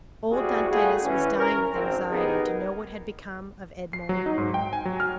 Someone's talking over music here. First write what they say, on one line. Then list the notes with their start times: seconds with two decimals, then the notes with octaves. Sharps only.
Old Dantes was dying with anxiety to know what had become of Edmond.
0.30 C2 F2 G3 B3 F#4 G#4
0.69 G3 A3 F4 F#4 G#4
1.03 E3 C#4
1.36 C#4 A#4
1.71 G#1 C4
2.09 C#2 B3 D#4 G4 G#4 A#4
3.93 C7
4.09 F#3
4.26 D#4
4.38 G#2
4.54 G5
4.73 G#5
4.85 F#3
5.00 F6